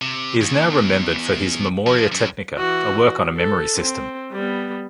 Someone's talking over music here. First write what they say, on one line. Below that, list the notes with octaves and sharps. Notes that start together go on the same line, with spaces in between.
He is now remembered for his "Memoria Technica", a work on a memory system.
C3
D#2
E2
F3
F#2
E3 F#4
A4
C4
G3 B3